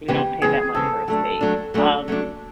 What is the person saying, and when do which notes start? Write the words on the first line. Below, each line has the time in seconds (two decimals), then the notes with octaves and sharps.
we don't pay that much for a steak. Um,
0.08 F2 C#3 E3 G#3 B3 G4
0.42 F2 C#3 E3 G#3 B3 G#4
0.75 F2 C#3 E3 G#3 B3 A4
1.08 F#3 A3 D4 A4
1.41 F#3 A3 D4
1.74 F#3 A3 D4
2.08 F#3 A3 D4